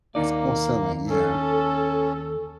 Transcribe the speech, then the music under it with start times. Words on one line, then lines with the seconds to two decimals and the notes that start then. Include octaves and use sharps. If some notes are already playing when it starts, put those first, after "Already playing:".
It's for selling, yeah.
0.15 D#2 A#3 D#4 D5
1.09 C#4 A4